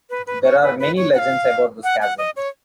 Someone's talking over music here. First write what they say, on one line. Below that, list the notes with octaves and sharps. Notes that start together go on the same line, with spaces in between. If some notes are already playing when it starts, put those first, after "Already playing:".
There are many legends about this castle.
B4
B4
C#5
B4
B4
C#5
F#5
F5
F#5
F#5
D#5
C#5